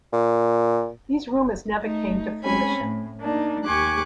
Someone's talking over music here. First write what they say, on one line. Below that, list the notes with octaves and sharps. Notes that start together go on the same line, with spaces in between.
These rumors never came to fruition.
A#2
A3 D#4
G#3 C4 C#4 G#5 B5
A2
A#3 D4 D#4
D#2 G4 G#5 C#6 D6 F#6